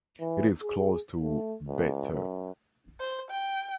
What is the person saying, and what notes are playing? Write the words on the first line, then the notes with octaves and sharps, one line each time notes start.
It is close to Bete.
E3
G#4
A3
C#2
F#2
C5
G5